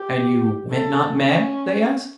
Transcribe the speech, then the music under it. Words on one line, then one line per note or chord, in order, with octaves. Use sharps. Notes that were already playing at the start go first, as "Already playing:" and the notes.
"And you went not mad?" they asked.
Already playing: G4
A4
C#4